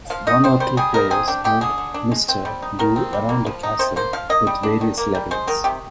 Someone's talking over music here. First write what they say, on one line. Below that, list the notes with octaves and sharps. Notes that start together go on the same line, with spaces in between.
One or two players moved Mr. Do around a castle with various levels.
F3 F5
D#4 D#5
C4 C5
G3 C5
G3 G#4
D#4 A#4
C4 G#4
D4 G4
G#3 G4
D3 G#4
D3
D4
G#3
C4
G3
D#4
D#3 A#4
C4
G3
A#3
F3
D#4
C3 C5
A#3 C5
F3 F5
A#3 D#5
G3
D4
D#3
A#3
G3
G#3 C5
D#3 A#4
C3 G4